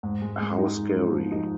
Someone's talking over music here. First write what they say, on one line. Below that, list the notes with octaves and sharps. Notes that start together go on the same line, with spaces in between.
How scary!
G#2
G#3
G#3
D#4
G#3
F3
F3
D#4